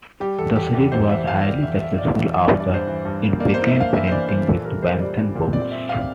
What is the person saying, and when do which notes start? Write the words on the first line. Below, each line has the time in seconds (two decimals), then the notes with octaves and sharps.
The series was highly successful after it began printing with Bantam Books.
0.20 G3 G4
0.38 E2 A4
0.56 E2 G4
0.73 E2 G4
0.92 E2 C5
1.09 E2 E5
1.27 E2 F5
1.45 E2 D5
1.63 E2 E5
1.80 E2 E5
1.98 E2 D5
2.16 E2 E5
2.33 E3 E5
2.48 D5
2.52 G2
2.60 D5
2.69 G2 C5
2.87 E3
3.05 G2
3.23 A#3
3.40 A#3 D5
3.54 A#3 C5
3.67 E5
3.76 A#3 F5
3.94 E3 E5
4.08 C5
4.12 E3 D5
4.29 E3 C5
4.48 A#2 A4
4.65 G3 A#4
4.83 A#2 C5
5.00 G3 D5
5.18 G3
5.35 A#2
5.53 C4 D5
5.71 C4 E5
5.89 C4 F5